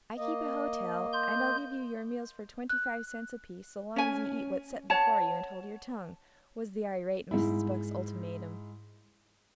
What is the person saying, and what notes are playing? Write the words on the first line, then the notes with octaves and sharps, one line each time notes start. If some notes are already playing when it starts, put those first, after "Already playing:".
"I keep a hotel, and I'll give you your meals for twenty-five cents apiece so long as you eat what's set before you and hold your tongue," was the irate Mrs. Buck's ultimatum.
A#3 D#5
C6 G6
F#6
C#4 G#5
C#5 F#5 A5
G#2 E4